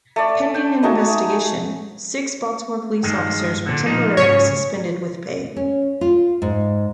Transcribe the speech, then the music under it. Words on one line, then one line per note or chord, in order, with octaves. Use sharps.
Pending an investigation, six Baltimore police officers were temporarily suspended with pay.
A3 D5
G5
A3 D#4 F#4 G#4
G2 D#3 G#3
A#2 D3
F3 A#3 D#4
G#2 C#3 C#4 C#5
C#4
F4
G#2